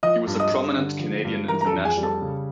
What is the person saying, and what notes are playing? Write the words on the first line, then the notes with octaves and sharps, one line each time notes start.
He was a prominent Canadian international.
F3 D#5 D#6
G2
D#5 D#6
G2
D3
F3
G2
E3 A#4 A#5
A#5
A4 A5
F2
G#4 G#5
G3
A4 A5
C#3